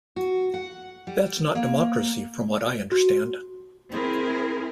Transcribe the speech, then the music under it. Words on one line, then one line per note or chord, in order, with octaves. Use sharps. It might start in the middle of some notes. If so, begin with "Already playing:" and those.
That's not democracy from what I understand.
F#4
F#5
G3
A#3
F#4
C4 E4 G#4 A#4